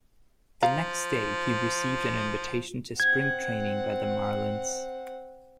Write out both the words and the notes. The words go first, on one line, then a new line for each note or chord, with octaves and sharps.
The next day, he received an invitation to spring training by the Marlins.
F3 F5 A#5
C4 F#5 G#6